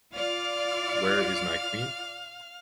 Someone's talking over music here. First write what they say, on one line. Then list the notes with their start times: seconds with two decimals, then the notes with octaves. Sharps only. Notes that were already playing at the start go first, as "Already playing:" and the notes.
Where is my queen?
0.14 F4 D5 F5 F6